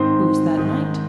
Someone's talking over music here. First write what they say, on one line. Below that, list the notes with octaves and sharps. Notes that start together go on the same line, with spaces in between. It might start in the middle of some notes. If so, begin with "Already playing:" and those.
Who is that knight?
Already playing: G#2 D#3 C4 C5
G#2 D#3